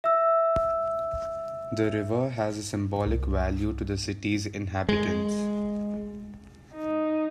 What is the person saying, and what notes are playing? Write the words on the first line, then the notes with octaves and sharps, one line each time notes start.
The river has a symbolic value to the city's inhabitants.
E5 E6
C2
G#3
D#4